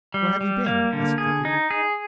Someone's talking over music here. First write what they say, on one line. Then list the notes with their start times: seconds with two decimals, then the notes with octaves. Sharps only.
'Where have you been?' asked the thief.
0.14 G3
0.41 G3
0.66 A#3
0.93 D3
1.18 G#4
1.45 D#4
1.71 G#4